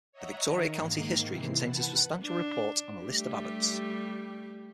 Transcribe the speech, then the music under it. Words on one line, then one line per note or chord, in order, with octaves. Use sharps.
The Victoria County History contains a substantial report and a list of Abbots.
C#5 D#5 E5 F#5 A#5
D#3
G#2 D#3 A#3 C7
C3 E3
B4 F#5 A5
D4
G3 A3 G4